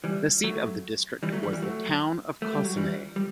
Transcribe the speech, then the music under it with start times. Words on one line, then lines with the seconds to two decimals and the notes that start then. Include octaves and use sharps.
The seat of the district was the town of Cossonay.
0.04 E3 G3
0.44 F#3 A3
1.23 E3 G3
1.32 F#3 A3
1.43 E3 G3
1.53 E3 G3
1.62 F#3 A3
2.42 A3
2.53 G3
2.64 F#3
2.77 E3 G3
3.16 G3